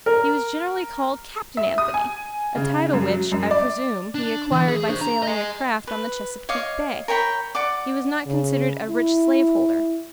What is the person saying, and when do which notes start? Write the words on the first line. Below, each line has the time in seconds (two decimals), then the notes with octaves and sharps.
He was generally called Captain Anthony--a title which, I presume, he acquired by sailing a craft on the Chesapeake Bay. He was not considered a rich slaveholder.
0.06 A#4
1.57 E5
1.78 D#6
1.94 G#5
2.56 C#3
2.93 F#2
3.08 F#3
3.32 F#2
3.51 D5
4.15 D4
4.51 E3
4.68 G#4
4.89 D4 C5
5.01 A#5
5.23 D#5 G#5
5.87 B4
6.49 C#5 D#5 F5 D6
7.08 A#4 C#5 G5 B5
7.55 D5 F#5 D6
8.26 C#3
8.90 E4